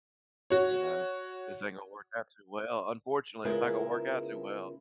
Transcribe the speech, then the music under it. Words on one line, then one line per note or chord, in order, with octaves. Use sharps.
you know, this ain't gonna work out too well. Unfortunately, it's not gonna work out too well."
F#4 C#5
C#3 G#3 B3 E4 F4 A#4